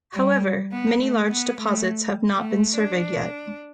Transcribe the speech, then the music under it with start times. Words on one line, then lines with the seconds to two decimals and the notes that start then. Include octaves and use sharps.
However, many large deposits have not been surveyed yet.
0.14 G3
0.72 B3
1.01 A3
1.31 B3
1.60 A3
2.34 A3
2.77 D4